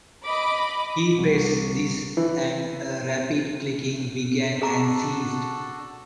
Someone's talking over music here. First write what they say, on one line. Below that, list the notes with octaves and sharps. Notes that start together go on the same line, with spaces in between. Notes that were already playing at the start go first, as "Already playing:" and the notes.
He pressed this and a rapid clicking began and ceased.
D#5 B5 D6
C2
E3
D4 F#4 G#4 A4 A#5 D6